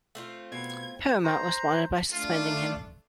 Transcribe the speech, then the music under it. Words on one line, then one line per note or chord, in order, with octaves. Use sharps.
Paramount responded by suspending him.
A3 C4 F4
B2 G#6
C5 A#5
A3 D4 F4